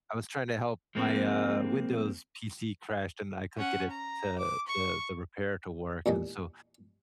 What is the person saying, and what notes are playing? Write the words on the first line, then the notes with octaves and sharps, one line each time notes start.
I was trying to help my, uh, Windows PC crashed, and I couldn't get it to the the repair to work, and so
F3 G#3 A#3 C4
C#4 F#5
A#5
D6
C#6
E2 A#2 G3 G#3